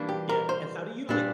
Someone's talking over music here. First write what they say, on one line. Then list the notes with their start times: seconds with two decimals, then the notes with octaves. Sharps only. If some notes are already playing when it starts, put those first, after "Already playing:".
Yeah, and how do you, like
Already playing: E3 G3 A#3 D4
0.09 G4
0.29 A#4
0.49 C5
1.09 A#2 G3 D4